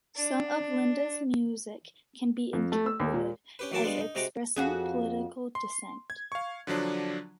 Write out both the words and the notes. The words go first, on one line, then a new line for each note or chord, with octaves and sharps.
Some of Linda's music can be interpreted as expressing political dissent.
D4
F2
A3
E6
D#2
A#2
C#4 G4 B4
A1 F#3 A#3 F#4 A5 D6
G3 G#3 B3 D4 F4
D#4
C3 G#3 F#4 A#5 D6
F2 F#4 G#4
C6
G#6
F5 C#6
D3 F3 F#3 D4